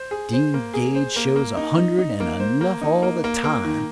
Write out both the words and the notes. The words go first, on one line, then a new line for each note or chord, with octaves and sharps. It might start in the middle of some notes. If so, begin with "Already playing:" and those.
Steam-gauge shows a hundred and enough all the time.
Already playing: C5
G#4
C5
A#3
G#4
C5
A#3
A#3
D#4
D#4
D#4
A#3
C5
A#3
D#4
A#3
A#3
A#3
D#3